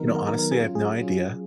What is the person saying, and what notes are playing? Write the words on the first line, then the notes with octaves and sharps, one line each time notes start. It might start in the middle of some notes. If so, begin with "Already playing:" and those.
You know, honestly, I have no idea.
Already playing: D#3 F#3 B3 D#4 A#4
A#4
D#3 F#3 B3 D#4 A#4
A#4
G#4
F#3 C#4 F4
G#4
F#3 C#4 F4